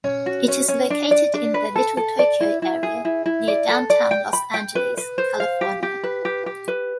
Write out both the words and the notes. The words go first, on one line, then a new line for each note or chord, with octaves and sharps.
It is located in the Little Tokyo area near downtown Los Angeles, California.
C#4
F#4
C#4
C#4
D4
D5
D4
B4
A4
A4
D5
E4
E4
G#4
E4
E4
D5
A4
D5
G5
B5
G5
B4
B4
C5
F5
G4
G4
B4
G4
G4
B4